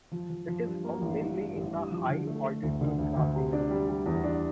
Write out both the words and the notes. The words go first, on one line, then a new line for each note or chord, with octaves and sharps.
It is found mainly in the high altitude grassy hills.
F3
F3
F3
G2
A#3
A1
G2
G2
A1
G2
F3
D3
A3
A3
D2
D3
D2
D2
C3
D4
G3
G3
E2
D4